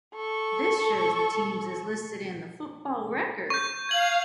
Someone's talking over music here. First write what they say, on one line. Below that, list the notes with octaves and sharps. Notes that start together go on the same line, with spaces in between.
This shows the teams as listed in the "The Football Record".
A4 C#6
C#6 G6
F5 G#6 F#7